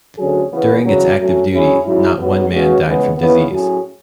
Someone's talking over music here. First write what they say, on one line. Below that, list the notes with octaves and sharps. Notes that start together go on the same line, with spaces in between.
During its active duty, not one man died from disease.
D2 D3 F#3 C#4 G#4
C#3 E3 B3
E2 C#3 F#3
F#3 A3 C#4
G#2 F#3 C#4 E4 G#4
G#2 F#3 C#4 E4
G#2 F#3 B3
C#3 G#3 C#4 F#4 B4
C#2 C#3 E3 G#3 B3
C#3 E3 B3
A2 F#3 C#4 G#4